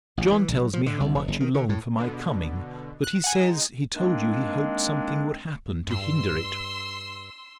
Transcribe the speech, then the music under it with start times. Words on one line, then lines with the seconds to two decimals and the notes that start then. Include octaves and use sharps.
John tells me how much you long for my coming; but he says, he told you he hoped something would happen to hinder it.
0.17 A1
0.32 E3
0.48 A#1
0.62 F#3
0.73 F3
0.86 D3
1.00 C2
1.15 F1
1.28 F#1
1.40 D#3
1.54 D3
1.69 A2
1.98 B2 D3
3.04 F#6
3.24 F#5 G#5
3.37 G#3 D#4
3.95 D#3 G#3 A#3 C4 D4
5.88 G2 C6 E6